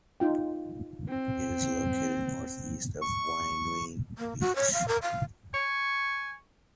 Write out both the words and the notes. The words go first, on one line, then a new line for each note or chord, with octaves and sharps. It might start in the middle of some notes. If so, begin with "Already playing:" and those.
It is located north east of Wainui Beach.
D#4 F4 G5
C4
C#6
A#3
F#4
C#5
F5
A#4
F5
G#5 C#6